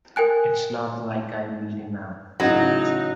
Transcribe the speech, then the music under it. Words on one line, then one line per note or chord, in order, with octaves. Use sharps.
It's not like I beat him out.
A#4 G5 G#5 F#6
A1 C#3 F#3 D#4